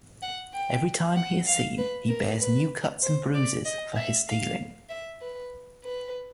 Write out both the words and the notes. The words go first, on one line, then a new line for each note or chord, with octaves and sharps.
Every time he is seen, he bears new cuts and bruises for his stealing.
F#5
G5
F#5
F5
B4
A#4
B4
C5
D5
D#5
E5
F5
E5
B4
B4